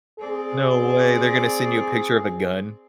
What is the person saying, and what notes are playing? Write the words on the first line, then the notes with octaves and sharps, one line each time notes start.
No way, they're gonna send you a picture of a gun.
C4 G#4 D5